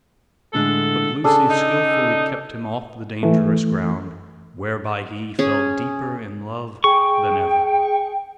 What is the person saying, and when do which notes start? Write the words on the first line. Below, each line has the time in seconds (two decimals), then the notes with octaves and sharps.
But Lucy skilfully kept him off the dangerous ground, whereby he fell deeper in love than ever.
0.53 A2 D3 G#3 A4
1.24 C#3 D4 G#4 A4
1.50 D#4
3.23 E3 A3
5.39 C#4 G#4
6.84 G#4 G5 C#6